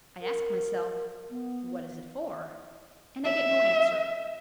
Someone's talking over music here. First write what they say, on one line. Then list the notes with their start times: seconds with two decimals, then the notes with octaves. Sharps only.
I ask myself, What is it for? and I get no answer.
0.22 A#4
1.30 B3
3.25 E5